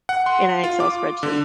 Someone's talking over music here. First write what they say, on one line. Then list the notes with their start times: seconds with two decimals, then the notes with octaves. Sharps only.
in an Excel spreadsheet?"
0.09 F#5
0.26 C6
0.64 F4
0.80 D6
1.23 D3